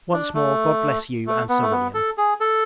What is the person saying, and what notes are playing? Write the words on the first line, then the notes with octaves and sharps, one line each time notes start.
Once more, God bless you and Sir William.
D4
A3
A3
B3
A3
B3
A4
G#4
A4